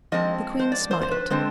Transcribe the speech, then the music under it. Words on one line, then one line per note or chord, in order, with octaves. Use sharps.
The queen smiled.
F3 G#3 C4 D#5
C5
D5
C5
C5
B4
D3 G#3 C4 C5